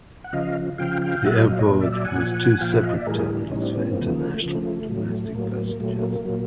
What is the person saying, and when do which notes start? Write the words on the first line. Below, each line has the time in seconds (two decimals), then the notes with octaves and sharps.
The airport has two separate terminals for international and domestic passengers.
0.24 F#5
0.33 C#3 F3 D#5 F5
0.78 C#3 F3 F5 G5
1.02 F5 G5
1.24 A#2 F#3 E5 F#5
1.36 D#5 F5
1.47 D#5 F5
1.59 C#5 D#5
1.69 A#2 F#3
1.81 D5 E5
1.92 D5 E5
2.05 F#5 G#5
2.15 A#2 F3
2.61 A#2 F3 F5 G5
2.73 E5 F#5
2.84 D#5 F5
2.95 D5 E5
3.07 A2 E3 G3 G#4 A#4
3.52 A2 E3 G3 C#4 D#4
3.64 C4 D4
3.75 B3 C#4
3.86 A#3 C4
3.97 C#3 F3 A3 B3
4.13 A#3
4.28 A3
4.43 C#3 F3
4.55 A3
4.89 A2 F#3
5.35 A2 F#3 A#3
5.52 B3
5.56 A#3
5.80 A#2 F#3 A3
6.02 A#3
6.25 A#2 F#3